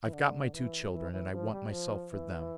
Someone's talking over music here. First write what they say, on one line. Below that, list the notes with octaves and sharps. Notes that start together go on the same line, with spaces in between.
I've got my two children and I want myself for them.
E3
D3
E3
E3
E3
F3
G3
F3
E3